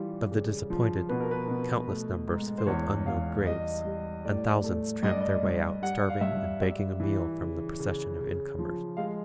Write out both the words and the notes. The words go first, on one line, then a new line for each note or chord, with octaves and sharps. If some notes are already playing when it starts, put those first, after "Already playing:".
Of the disappointed, countless numbers filled unknown graves, and thousands tramped their way out starving and begging a meal from the procession of incomers.
Already playing: E3 G3 F4
C#3
F3
B2 B4
A#4
B4
B2
A3
G#2
C5
E2 C#5
E2 F5
G3 D#5
G3
A2 D5
A3
G2 D#5
D5
D#5
G2
G3 F#5
F5
G2 E5
G3 E5
E3
C#3
C#3
C#3
F3
G#3 F5